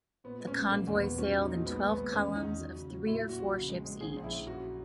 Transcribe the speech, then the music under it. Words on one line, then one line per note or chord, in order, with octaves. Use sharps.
The convoy sailed in twelve columns of three or four ships each.
A#2 B3
G#3
C#4
A#1
B2 A#3
E2
B3
E2
F#3 C#4
A#2
D#4
B1
G#3 B3
D#2
B3
G#3
D#3 C#4
E2
D#4
E2
F#3
C#3
F#3
A#2 E4
A#2
F#4
A#1
C#3
G#3
G#3
A#1 G#4
A#1
E4
A#1
F#2 F#4